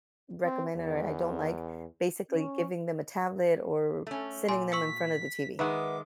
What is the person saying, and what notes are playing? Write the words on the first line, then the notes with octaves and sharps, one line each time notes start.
recommend or I don't like basically giving them a tablet or sitting them in front of the TV.
C4
E2
C#4
A3 C#4
A#2 G#5 C6
C#6 E6 B6 C#7
D#3 G#3 B4 E5 F#5 D6